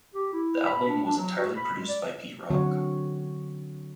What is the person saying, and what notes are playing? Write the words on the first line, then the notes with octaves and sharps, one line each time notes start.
The album was entirely produced by Pete Rock.
G4
E4
B5
D4
D4
F#3
F#4
B5
G#3
D5
D3 F#3 C4 F#4 C#5